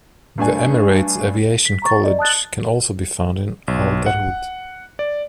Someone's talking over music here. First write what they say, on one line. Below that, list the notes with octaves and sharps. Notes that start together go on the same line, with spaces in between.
The Emirates Aviation College can also be found in Al Garhoud.
G2 A3 D4 G#5
B6
A#5 C#6 A6
D5 D#5
A5 D#6 F#6 A6
B1
F#5
D5